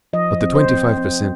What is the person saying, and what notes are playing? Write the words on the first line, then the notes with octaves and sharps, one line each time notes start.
But the twenty-five per cent.
F3 D#5
C4
C5
C4
C4